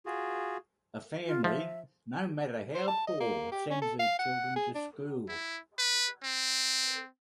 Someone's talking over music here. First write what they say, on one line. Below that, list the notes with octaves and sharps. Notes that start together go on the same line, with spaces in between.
A family no matter how poor, sends their children to school.
F4 F#4 G#4
F4
F3 E5
C5
A5
D#5
A#3
G4
C#4
A4
F5
F#5
G#4
D4
E4
B4
C4